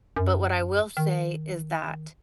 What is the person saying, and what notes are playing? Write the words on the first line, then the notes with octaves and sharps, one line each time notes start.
But what I will say is that,
F#2
D#3